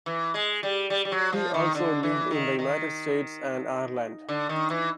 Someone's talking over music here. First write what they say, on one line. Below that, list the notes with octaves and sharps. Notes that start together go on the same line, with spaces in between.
He also lived in the United States and Ireland.
E3
G#3
G3
G3
G3
F#3
F3
D#3
D3
E3
D#3
D#3
D3
D#3
E3